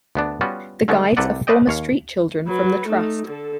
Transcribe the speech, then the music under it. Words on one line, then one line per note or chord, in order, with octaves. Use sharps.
The guides are former street children from the trust.
D2 B3 D4
G3 B3 C#4 F4 F#4
D3 D#3 G#3 A3 B3 D4
C2 C3 A4 B4 D5 F#5
A3 B4 C5 D5 D#5 G5
D#2 C#5 F5
F#3 B4
A3 D#4
D3 A4